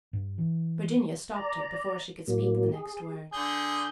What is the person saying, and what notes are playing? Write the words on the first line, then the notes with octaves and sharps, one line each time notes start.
Virginia stopped her before she could speak the next word.
G2
E3
D5 A#5
A2 F#3 A#3
G#4
D3 G#4 G6